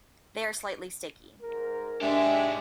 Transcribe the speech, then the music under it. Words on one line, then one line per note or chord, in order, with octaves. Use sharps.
They are slightly sticky.
G#2 A#4
G#2 G#3 D4 G4 E5